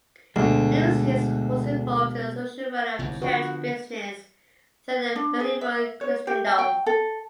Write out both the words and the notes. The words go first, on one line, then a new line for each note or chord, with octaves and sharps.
Lucius was involved in the usual running of church business throughout medieval Christendom.
D2 B2 G#3
G1 C2 G#2
D3 F3 F#4 B4
D4
G#4
E5
C#5
G4
A5
G5
A4